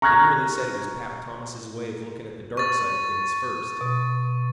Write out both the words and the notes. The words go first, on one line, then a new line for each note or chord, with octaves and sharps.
They merely said it was "Pap" Thomas' way of looking at the dark side of things first.
A#5 C#6 F6 F#6 G#6 A#6
C#6 A6
B2